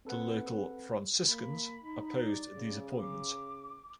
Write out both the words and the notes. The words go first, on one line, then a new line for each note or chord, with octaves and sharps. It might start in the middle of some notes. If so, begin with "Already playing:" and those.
The local Franciscans opposed these appointments.
C4 A4 B4 F#5
A#3 B5
D#4
D5
C#3
D6